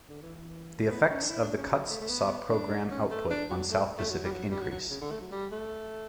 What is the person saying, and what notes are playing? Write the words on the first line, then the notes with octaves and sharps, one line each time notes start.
The effects of the cuts saw programme output on South Pacific increase.
D3
E3
E3
B3
C#4
D4
E4
D4
C#4
F#3
A3
A3
B3
D4
C#4
A3
D4
F#3
A3
A3
F#3
G3
F#3
G3
F#3
F#3
C#3
D3
A3
F#3
G3
A3